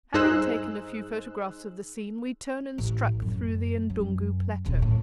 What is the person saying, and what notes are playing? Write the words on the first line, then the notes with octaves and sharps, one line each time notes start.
Having taken a few photographs of the scene, we turned and struck through the N'dungu Plateau.
G2 D#4 G#4 C5 E6 F#6
A1
F#2
F#2
D#1 D3
E2 A2